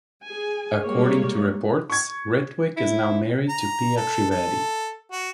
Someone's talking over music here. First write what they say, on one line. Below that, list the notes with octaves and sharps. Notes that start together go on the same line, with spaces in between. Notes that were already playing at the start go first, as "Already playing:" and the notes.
According to reports, Ritwik is now married to Pia Trivedi.
G#4 G#5
G3 G#3 A#3 C#5
C#6 G#6
E4
A#5
A4
A4
F#4